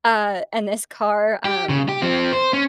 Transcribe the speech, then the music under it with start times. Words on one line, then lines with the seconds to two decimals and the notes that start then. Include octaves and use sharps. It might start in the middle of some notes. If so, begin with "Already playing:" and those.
Uh, and this car, um,
1.45 G4
1.69 C#3
1.89 G4
2.02 F3 C4
2.33 C5
2.53 C#4